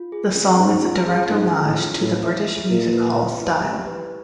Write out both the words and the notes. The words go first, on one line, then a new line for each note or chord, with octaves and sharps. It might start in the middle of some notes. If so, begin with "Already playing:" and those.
The song is a direct homage to the British music hall style.
Already playing: F4
G#4
C#4
G#2 C#4
F4
G#4
G#2 C#4
C#4
A2
F4
A2 B4
E5
E4
A#2 G4
B4
E5
E4
G4
B4